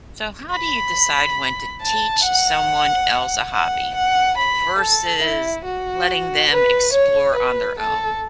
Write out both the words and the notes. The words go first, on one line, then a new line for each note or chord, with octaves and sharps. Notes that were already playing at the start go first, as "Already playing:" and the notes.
So how do you decide when to teach someone else a hobby v versus letting them explore on their own?
B5
A5
F#5
F#5
F#5
B5
A4
E4
F#4
B4
C#5
B4
A4